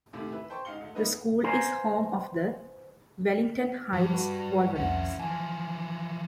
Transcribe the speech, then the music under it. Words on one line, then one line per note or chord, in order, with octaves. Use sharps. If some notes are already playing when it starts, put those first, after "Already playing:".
The school is home of the "Wellington Heights Wolverines".
D#2 A2 C3
E4 B4 E5
C5 G5 A5 C6 C#6
G#2 D#5 F5 C#7 G7
D2
A#3 B3 D#4 E4 B4
B4 C5 F5 G#5 A#5
G2 F3
D4 F#4 B4
C2 F2 C#4 E4 B4 E5 F#5
E3 F3 G#5 A5